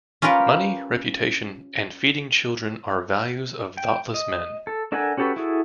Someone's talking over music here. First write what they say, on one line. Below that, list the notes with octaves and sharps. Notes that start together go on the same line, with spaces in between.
Money, reputation and feeding children are values of thoughtless men.
C#4 F4 G4 A#4 B4 C#5
G5
D#5
A4
D4 A4 A#4 F#5 G#5
C#4 F#4 G4 A4 B4
E4 F#4 G#4 A4